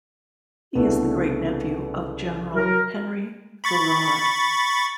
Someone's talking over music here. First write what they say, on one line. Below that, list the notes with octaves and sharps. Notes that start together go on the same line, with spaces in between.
He is the great nephew of general Henri Gouraud.
C2 C#3 A3 B3 D4
F#3 A#4
B5 C#6 A6